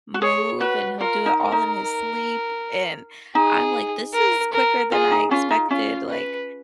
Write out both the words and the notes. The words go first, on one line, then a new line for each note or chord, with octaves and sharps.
move, and he'll do it all in his sleep, and I'm like, this is quicker than I expected, like
F#4
G#4 C#5
F#4 B4
F4 A#4
D#4
A#4
D#4
D#4 G#4
A#4
A#4
F4 G#4
D#4
C#4 F4
D#4
C#4 F4
B4